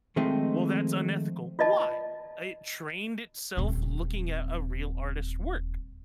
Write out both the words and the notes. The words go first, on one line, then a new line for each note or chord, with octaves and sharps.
"Well, that's unethical." "Why? It trained itself looking at a real artist's work,
D#3 F3 G#3 A3 C4 D#4
F4 D5 D#5 A5
D#1 C4